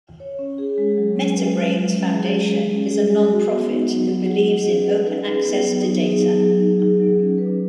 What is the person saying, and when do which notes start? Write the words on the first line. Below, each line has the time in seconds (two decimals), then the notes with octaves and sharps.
MetaBrainz Foundation is a non-profit that believes in open access to data.
0.20 C#5
0.39 C#4
0.58 G#4
0.78 G#3
0.98 F#3
1.17 C#4
1.36 B4
1.55 F#3
1.75 G#3
1.94 C#4
2.14 G#4
2.33 G#3
2.53 G#3
2.73 C#4
2.91 G#4
3.10 G#3
3.30 F#4
3.50 B3
3.69 D#4
3.89 F#3
4.08 F#5
4.27 G#4
4.46 D#5
4.67 C#4
4.86 B4
5.05 D#4
5.24 G#4
5.44 B3
5.64 F#3
5.82 D#4
6.02 G#4
6.21 F#3
6.40 F#3
6.60 D#4
6.79 G#4
6.99 F#3
7.19 C#4
7.38 B4